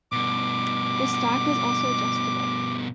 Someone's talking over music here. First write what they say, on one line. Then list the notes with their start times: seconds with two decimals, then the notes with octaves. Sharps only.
The stock is also adjustable.
0.12 G2 B2 D6